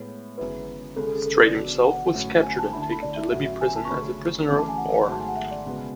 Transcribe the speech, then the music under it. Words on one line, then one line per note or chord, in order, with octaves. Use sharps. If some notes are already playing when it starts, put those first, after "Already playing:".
Streight himself was captured and taken to Libby Prison as a prisoner of war.
Already playing: A2 G#3 B3 C#5
F#2 C#3 G#3 B3 E4 B4
C#2 C#3 G#3 A4
A4
G#4
A4
B4
D5
B2 F#3 B3 D4
F#5
A2 F#3 A3 C#4
G#5
A5
D2 D3 A3 E4 B5
A5
B5
D5
E5
A2 F#3 C#4 F#4 E5
E5
G#5
A5
C#6
D2 C#3 F#3 A3 C#4 B5
F#2 C#3 E3 A3 D6
A5
G#5
F#5
B5
G#2 F#3 A3 A5
G#5
F#5
E5
D5
C#2 B2 G#3 B3